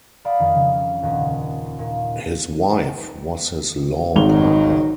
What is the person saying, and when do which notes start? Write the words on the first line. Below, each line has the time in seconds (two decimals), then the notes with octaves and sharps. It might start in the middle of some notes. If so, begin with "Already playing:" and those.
His wife was his law partner.
0.25 D5 E5 F5 B5 D#6
0.39 F2 D#3
0.55 C#3
1.03 D#1 D#2
1.79 A#2
4.16 G#1 D#3 F#3 D#4 F7 G7